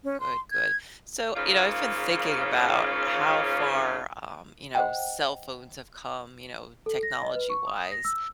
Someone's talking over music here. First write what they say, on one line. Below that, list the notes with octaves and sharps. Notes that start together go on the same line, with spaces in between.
Good, good. So, you know, I've been thinking about how far, um, you know, cell phones have come, you know, technology-wise.
C#4
C6
G#6
G#2 C#3 A#3 C#4 F4
C5 D#5 F#5 G5
A4
A#6
D#5
B4
C#6
D#6
A#6
E6